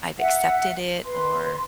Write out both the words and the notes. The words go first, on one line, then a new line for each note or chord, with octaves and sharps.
I've accepted it, or,
E5 F#5
B4 C6